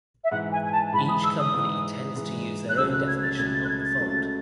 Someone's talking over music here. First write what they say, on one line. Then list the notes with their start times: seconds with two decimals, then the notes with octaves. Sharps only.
Each company tends to use their own definition of the fold.
0.24 E5
0.31 G#2 E3 G#3 F#5
0.52 G#5
0.65 G#5
0.72 A5
0.93 G#2 E3 G#3 B5
1.09 D#6
1.24 E6
1.39 D#6
1.54 G#2 E3 G#3
2.16 G#2 E3 G#3
2.69 F#6
2.77 C#2 C#3 F#3 A3 E6
2.92 F#6
3.08 G#6
3.23 A6
3.38 C#2 C#3 F#3 A3 G#6
3.54 A6
3.65 F#6
3.69 G#6
3.85 A6
4.00 C#2 C#3 F#3 A3